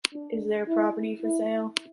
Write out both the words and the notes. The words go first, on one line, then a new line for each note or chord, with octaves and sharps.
Is there a property for sale?
D4
E4
E4